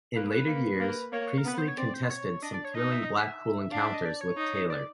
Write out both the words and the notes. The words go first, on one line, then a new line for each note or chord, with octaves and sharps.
In later years, Priestley contested some thrilling Blackpool encounters with Taylor.
A#3 B4
B4
A#3
A#3
A#3 C#5
A#4
B3 B4
C5
C#5
C4 D5
C5
C#5
D4 D#5
D5
C#5
D#4 D#5
E5
D#5
E5
D4 F5
E5
D#5
D5
C#5
D#4
D5